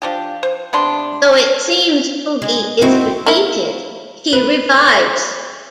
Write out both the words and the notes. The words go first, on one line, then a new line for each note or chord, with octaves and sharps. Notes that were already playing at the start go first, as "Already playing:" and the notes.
Though it seems Oogie is defeated, he revives.
F3 D4 G4
C5
C3 B3 D4 C6
G#3
C4 D#4 E4 F#4
A#3 E4
B4